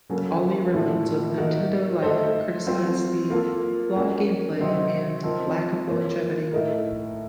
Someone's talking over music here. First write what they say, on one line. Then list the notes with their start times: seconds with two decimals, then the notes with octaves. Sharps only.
Ollie Reynolds of "Nintendo Life" criticized the "flawed gameplay" and "lack of longevity".
0.10 C#3 F#3 A#3 C#4 A4
0.73 A2 F3 A#3
1.38 A#3 D#4 F#4 A#4
2.02 A3 D#4 A4 C5
2.66 F#3 C4 F4 C5
3.30 A#3 F4 A4
3.95 A#3 C#4 F#4
4.60 C3 F#3 C4 D#4
5.23 F3 C4 D#4 A#4
5.88 A#3 F4 A#4 C#5
6.52 A2 A3 D#4 A#4